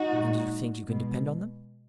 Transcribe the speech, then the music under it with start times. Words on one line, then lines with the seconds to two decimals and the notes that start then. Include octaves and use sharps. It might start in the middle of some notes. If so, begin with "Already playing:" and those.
"And you think you can depend on them?"
Already playing: D#4 F#4
0.13 A#2 G#3
0.87 B2 G#3